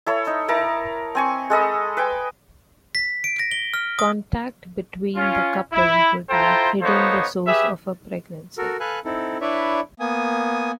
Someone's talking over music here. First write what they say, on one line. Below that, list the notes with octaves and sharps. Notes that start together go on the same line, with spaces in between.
Contact between the couple would have hidden the source of her pregnancy.
E4 A4 C#5
D#4
E4 A#4 A5
C4 G#5 C#6
G#3 A4 D#5 B5
B4 G5 G#5
B6
D7
A#6
G7
F6
D#6
C#4 F4
E4
E4 F4 A4 C5 G5 A#5
B3 D#4 F4 A4 C5 C#5
G4 G#4 B4 E5
F#4 A4 A#4
A4 B4 F5 G#5 F#6
C4 D#4 E4 A4
D4 E4 B4 C#5 D5 E5
A#3 B3 G#5 D#6